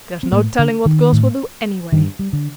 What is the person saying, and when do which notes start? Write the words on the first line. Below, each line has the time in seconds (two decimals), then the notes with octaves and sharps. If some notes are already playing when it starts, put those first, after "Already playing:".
There's no telling what girls will do anyway.
0.23 C4
0.32 A2 A#3
0.59 D3
0.86 D#3
1.13 A2
1.92 G2 D#3
2.19 G3
2.33 D3